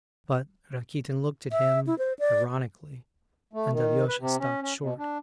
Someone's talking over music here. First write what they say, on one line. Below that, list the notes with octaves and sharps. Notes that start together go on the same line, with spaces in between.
But Rakitin looked at him ironically and Alyosha stopped short.
E5
E4
C5
D5
A3
D#3
B4
C3
C#4
C#4
B2
D4